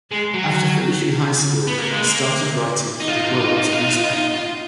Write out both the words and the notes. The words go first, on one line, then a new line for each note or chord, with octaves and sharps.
After finishing high school he started writing for "The World" newspaper.
G#3
F#3
B3
A#3
G#3
A#3
D#4
F4
D#4
F4
D#4
F4
D#4
F4
D#4
F4
D#4
F4
D#4
F4
D#4
F4